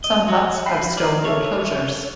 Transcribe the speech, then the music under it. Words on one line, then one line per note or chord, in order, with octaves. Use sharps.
Some huts have stone enclosures.
D#5
F#4
G5 B5 C7
D5 A#5 F6
A4 A#4 C#5 E5